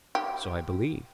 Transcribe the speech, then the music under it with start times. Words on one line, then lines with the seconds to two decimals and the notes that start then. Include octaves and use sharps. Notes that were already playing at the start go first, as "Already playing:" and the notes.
So I believe.
0.15 G4